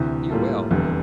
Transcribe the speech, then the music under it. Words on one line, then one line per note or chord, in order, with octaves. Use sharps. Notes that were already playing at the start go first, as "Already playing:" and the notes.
You will.
Already playing: D2 C3 E3
A2 G3 A#3 F4 A4
F1 E2 D3 G3